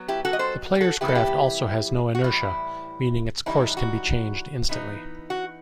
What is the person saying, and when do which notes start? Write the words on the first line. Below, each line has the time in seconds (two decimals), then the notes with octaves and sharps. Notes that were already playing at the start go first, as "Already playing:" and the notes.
The player's craft also has no inertia, meaning its course can be changed instantly.
Already playing: F#3 B3
0.08 E4 G4
0.25 F#4 A4
0.33 D#5
0.39 A4 C5
0.75 G4
0.81 F#4 A4
1.01 C3 E3 G3 B3 E4 G4
1.08 A4
1.15 E4 G4
2.15 F#4
2.24 A2 E3 G3 E4
3.46 A2 E3 G3 D#4 E4
3.77 F#4
4.69 E3 B3 D#4
5.30 F#4